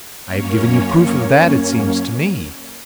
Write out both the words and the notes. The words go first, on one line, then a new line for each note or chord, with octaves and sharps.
"I have given you proof of that, it seems to me."
F#2 A#3 C#4 C#5